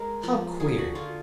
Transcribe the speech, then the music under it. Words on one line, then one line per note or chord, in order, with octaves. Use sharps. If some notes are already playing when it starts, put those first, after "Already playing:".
How queer!
Already playing: G#3 A#4
F3
D3 G#4
F#4
D3 F4